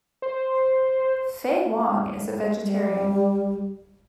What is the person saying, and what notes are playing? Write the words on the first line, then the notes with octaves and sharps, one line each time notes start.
Faye Wong is a vegetarian.
C5
G3